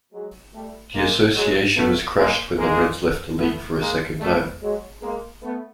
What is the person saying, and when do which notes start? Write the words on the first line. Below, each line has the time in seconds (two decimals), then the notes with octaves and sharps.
The Association was crushed when the Reds left the league for a second time.
0.13 F#3 G#3
0.54 G3 A3
0.95 G#3 A#3
1.35 F#3 G#3
1.76 A3 B3
2.17 G#3 A#3
2.57 G#3 A#3
3.39 A3 B3
3.80 G#3 A#3
4.20 G3 A3
4.61 F#3 G#3
5.02 G#3 A#3
5.43 A3 B3